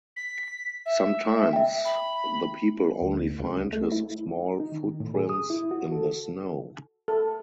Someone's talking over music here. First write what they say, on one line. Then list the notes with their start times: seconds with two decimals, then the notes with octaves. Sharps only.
Sometimes the people only find his small footprints in the snow.
0.16 B6
0.85 E5
1.53 E5 G5
1.85 B5
3.01 D2
3.40 C#2
3.73 A3
3.91 E4
4.60 D#4
4.72 D#3
5.00 A2
5.15 G#4
5.29 D#6
5.50 E4
5.71 F#4
5.92 A4
7.08 A4